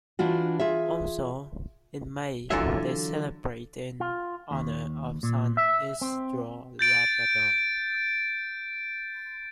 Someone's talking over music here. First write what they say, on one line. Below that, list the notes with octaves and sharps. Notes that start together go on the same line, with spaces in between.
Also, in May they celebrate in honour of San Isidro Labrador.
E3 D4 F4 F#4
F4 G#4 E5
D3 E3 F#3 F4 C#5 E5
F4
D#2
A#2
E5
C4
G6 A6 D7